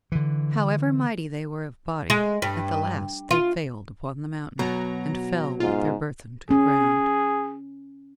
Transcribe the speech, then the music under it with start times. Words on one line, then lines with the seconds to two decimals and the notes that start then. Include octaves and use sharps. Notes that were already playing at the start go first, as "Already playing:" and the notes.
However mighty they were of body, at the last they failed upon the mountain, and fell with their burthen to the ground.
0.12 D3 E3
2.10 G#3
2.42 G2
3.31 F4
4.59 B2 F#3 A#5
5.60 G#2 F4
6.51 C#4 G#4